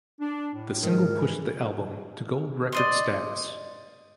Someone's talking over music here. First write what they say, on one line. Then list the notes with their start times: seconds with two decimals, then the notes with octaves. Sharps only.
The single pushed the album to gold-record status.
0.20 D4
0.54 A2
0.83 G#2 D#3 A#4
1.18 E3
2.72 D5 D#5 C6